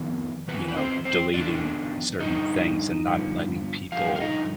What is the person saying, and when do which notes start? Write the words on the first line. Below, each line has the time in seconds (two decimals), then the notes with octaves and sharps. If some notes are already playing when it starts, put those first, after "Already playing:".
you know, deleting certain things and not letting people,
Already playing: F2 D#3 B3
0.48 F2 D#3 B3 B4
0.68 B4
0.76 C4 C5
1.05 C4 C5
1.34 F2 D#3 B3 D4 D5
2.20 G2 D3 F3 D#4 D#5
3.06 G2 D3 F3 B3
3.92 G2 D3 F3 F5
4.16 F5
4.20 D#4 D#5